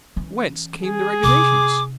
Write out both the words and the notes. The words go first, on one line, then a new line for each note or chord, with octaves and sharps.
Whence came the regulations?
E3 C#4
G#4
C3 D#4 D6